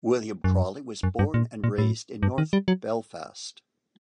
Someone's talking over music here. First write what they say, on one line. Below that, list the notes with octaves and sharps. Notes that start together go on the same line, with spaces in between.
William Crawley was born and raised in north Belfast.
F#2
F#2
G2
A#2
A#2
A2
G2
D#3
G3
F#3